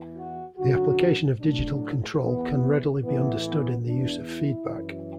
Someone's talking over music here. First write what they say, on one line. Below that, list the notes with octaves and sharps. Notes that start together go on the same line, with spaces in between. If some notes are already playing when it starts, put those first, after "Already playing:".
The application of digital control can readily be understood in the use of feedback.
Already playing: E2 E3
F#4
F#2 D3 F#3 F#4
A2 F#3 D4
E2 E3 B3
A2 E3 B3
B3
E2 E3 D4
E4
F#2 E3